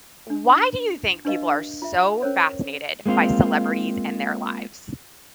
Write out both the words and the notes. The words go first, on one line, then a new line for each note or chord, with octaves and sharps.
Why do you think people are so fascinated by celebrities and their lives?
D4
D4 G4 B4 D#5 F5
F4 E5
C#4 A#4 C5 C#5
G#3 A#3 C4 E4 F4